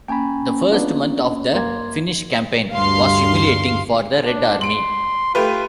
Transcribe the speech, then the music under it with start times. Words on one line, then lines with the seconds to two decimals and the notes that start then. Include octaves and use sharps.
The first month of the Finnish campaign was humiliating for the Red Army.
0.08 A#3 C#4 G5 G#5 B5
0.71 B3 D4 F4
1.54 F#2 A#3 C6 G#6
2.73 D2 G2 F5 C6
4.26 D4
4.61 C6 D7 F#7
5.35 A3 F4 G4 B4